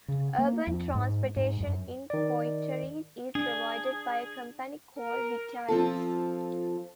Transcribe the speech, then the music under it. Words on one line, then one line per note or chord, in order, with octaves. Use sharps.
Urban transportation in Poitiers is provided by a company called Vitalis.
C#3
A#3
F2
G#2
G#2
F#2
D#3 D5
D4 G#4
A#4
F3 C4 F4 A4